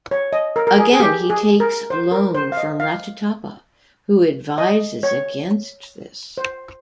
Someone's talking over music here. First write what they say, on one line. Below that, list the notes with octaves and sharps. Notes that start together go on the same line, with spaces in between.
Again he takes loan from Rachutappa who advises against this.
C#5
D#5
A#4
A#4
G#4
G#4
G4
G#4
A#4
C5
A#4
C5
F5
D#5
F5
D#5
C#5
C5